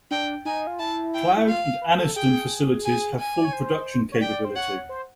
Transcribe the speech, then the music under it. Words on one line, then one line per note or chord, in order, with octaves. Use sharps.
Cloud, and Anniston facilities have full production capability.
D4 G5
D#4 G#5
F4
E4 A5
G5
E4
F4 F5
B4
A4
G#4 G5
G#5
G#5
D5
C#5
C5
C#5
D5 G5
C5
C#5 F#5
C5